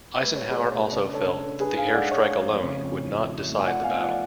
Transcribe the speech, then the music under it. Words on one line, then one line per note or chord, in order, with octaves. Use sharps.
Eisenhower also felt that the airstrike alone would not decide the battle.
A3 B4
F#3 C#5
G#4 B4
B2
A3
C#2 B4 D5
D4
A4 C#5
C#2
D4
D4 G#4 B4
G#2 F5 G#5
G#3 D5 F#5
G#2 C#5 F5
A3
F2
C#3
F2
A2
F#3
A2
A3
G#5
F4 D5 F#5
B3 F5 G#5
F3 D5 F#5
D5